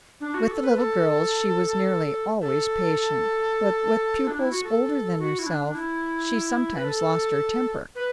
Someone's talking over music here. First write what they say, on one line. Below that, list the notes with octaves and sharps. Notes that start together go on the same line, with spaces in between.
With the little girls she was nearly always patient, but with pupils older than herself, she sometimes lost her temper.
D4
F#4
A4
B4
A4
A4
D4
E4
F#4
A4
F#4
E4
D4
D4
E4
B4
A4
B4